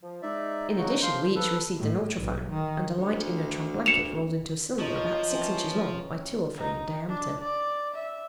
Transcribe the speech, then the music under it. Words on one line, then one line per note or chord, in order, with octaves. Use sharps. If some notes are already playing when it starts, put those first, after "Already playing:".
In addition, we each received an ultrophone, and a light inertron blanket rolled into a cylinder about six inches long by two or three in diameter.
F3
G#3 D#4 D5 E5
C#3 F#3 F#4
A#2 F3 A#4 F5 C6 G6
F3 A4 B4
A2
B1
D#3
D2
C#7 E7 F7
F3 D#4 C#5
E3 C#4 G5
D#4
D4
D5
E5